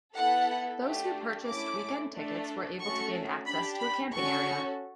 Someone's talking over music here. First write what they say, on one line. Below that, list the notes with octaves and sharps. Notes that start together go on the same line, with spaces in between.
Those who purchased weekend tickets were able to gain access to a camping area.
B3 E4 A4 F#5
A3 D4 G4
A3 C#4 E4 D6
A3 D4 A4
A3 C#4 F#4 A4 C#6
D4 G4 B5
B5
C#4 F#4 A4 C#6